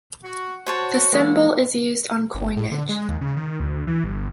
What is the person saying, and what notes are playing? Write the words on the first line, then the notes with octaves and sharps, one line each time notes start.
The symbol is used on coinage.
F#4
F#4 C5 C#5 A5
E3 G#3 A#3
G1
A2
D3
G#3
D#2
C#3
D#3
D2
E3
G1